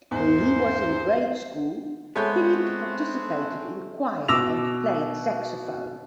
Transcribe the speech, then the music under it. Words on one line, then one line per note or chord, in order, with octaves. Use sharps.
When he was in grade school, Pinnick participated in choir and played saxophone.
E2 G#2 C5
G#3 A3 B3 C4 C#5 G6
B2 D6 E6 A#6 F7